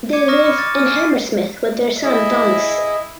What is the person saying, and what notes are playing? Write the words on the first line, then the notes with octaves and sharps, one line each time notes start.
They live in Hammersmith with their son Thomas.
D6 G#6 C#7 D#7
C#6 D#6 F6 A#6 C#7 E7
B5 D6 F6 C#7
D6 A6
G#5 F6 D#7
G#5 C7
E4 G#4 D#5